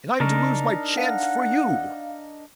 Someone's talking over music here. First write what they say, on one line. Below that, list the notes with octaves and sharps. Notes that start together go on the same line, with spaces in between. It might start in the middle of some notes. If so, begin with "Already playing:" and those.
And I'm to lose my chance for you!
C#3 D4 D#4 A#4
F5 F#5